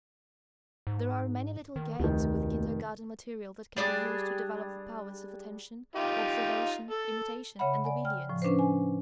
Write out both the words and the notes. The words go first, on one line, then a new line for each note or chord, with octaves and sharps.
There are many little games with kindergarten materials that can be used to develop the powers of attention, observation, imitation, and obedience.
G#2
D#3
F1 D2 D#3
G3 D4 G4 G#4
D#4 F4 G4
A4
C#3 C#5 E5 F#5 B5
D5 F#5 G#5
G5 F6
A2 F3
C#4 D4 B4 C5
G#5